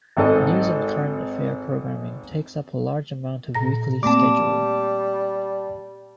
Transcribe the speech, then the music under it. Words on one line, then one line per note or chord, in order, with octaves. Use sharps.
News and current affairs programming takes up a large amount of the weekly schedule.
G#1 G#2 A4 D#5
A#2 A#5 A#6
G3 A3 A#3 C4 A5 D6